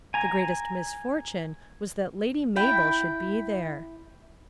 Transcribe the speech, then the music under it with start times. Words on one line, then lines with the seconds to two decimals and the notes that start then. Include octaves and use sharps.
The greatest misfortune was that Lady Mabel should be there.
0.14 G#5 A#5
2.56 E4 G5